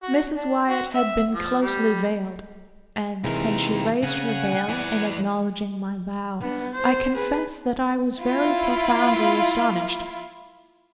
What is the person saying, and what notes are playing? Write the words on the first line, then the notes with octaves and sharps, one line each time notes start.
Mrs. Wyatt had been closely veiled; and when she raised her veil, in acknowledging my bow, I confess that I was very profoundly astonished.
F#4
D4
F#4
E5
F3
G3
D#2 C3 E3 G#3 A#4
C#3 F#5 G#5
E3 D5
B3 D4
C5
G#4 B4
E4 F4